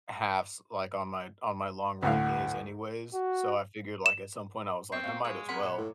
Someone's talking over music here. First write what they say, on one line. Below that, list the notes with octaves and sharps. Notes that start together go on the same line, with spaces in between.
halves, like, on my on my long run days anyways, so I figured, like, at some point I was like, "I might as well
D2 A2 F5 F#5
F#4
E7
B3 C4 C#6
F#4 B4 F5
G#3 C#5
F#3 C4 A#4 F#5 B5 C6
A#2 F#3
A2